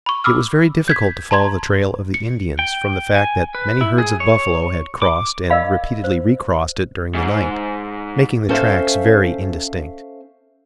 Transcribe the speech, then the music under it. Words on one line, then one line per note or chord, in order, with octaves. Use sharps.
It was very difficult to follow the trail of the Indians from the fact that many herds of buffalo had crossed and repeatedly recrossed it during the night, making the tracks very indistinct.
B5 C#6
B5 D6 E6 F6
G6 G#6 B6
A5 A#5 C6 G#6
C#7
G5
G#5
B4
E4
G#4
C#5
D6
A#4 D5 D#5 F5 B5
C5
G#2
C#4 A4 C5 D5 E5 F5